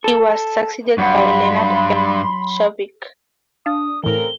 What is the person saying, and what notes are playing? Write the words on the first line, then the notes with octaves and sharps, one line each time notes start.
He was succeeded by Lenard M. Shavick.
A4
G2 F#3 F#5 B5 C6
D4 F5 A5 D#6
A2 C#3 E3 C4 A4 A#4 G7